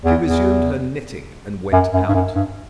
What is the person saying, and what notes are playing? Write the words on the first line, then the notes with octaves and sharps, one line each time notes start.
She resumed her knitting and went out.
E2
E2
F#2
F#2
G2
F#2
G2